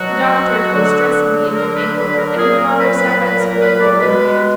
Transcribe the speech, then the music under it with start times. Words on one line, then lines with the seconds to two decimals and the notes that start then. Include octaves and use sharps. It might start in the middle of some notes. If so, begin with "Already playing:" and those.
The doctor was dressing the injured ankle, and her father sat by the sofa holding her hand.
Already playing: B2 F#3 F#4
0.73 D3 F#3
1.54 A#4
1.76 B4
1.96 B4
2.17 A#4
2.36 A#2 F#3 G#4
2.57 A#4
2.78 B4
2.98 B4
3.18 B4
3.39 A#4
3.60 B4
3.80 D5
4.00 B2 G#3 B4